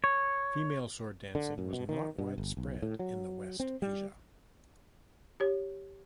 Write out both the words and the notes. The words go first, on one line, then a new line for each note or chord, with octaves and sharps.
Female sword dancing was not widespread in the West Asia.
C#5
D3
F#2
B2
D#3
G2
G1
B1
A2
F#3
C4
G3
G4 C#5